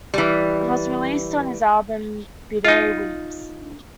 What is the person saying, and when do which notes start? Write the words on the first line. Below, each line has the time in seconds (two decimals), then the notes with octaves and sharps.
It was released on his album "Bede Weeps".
0.14 E3 G3
2.65 D#4 F4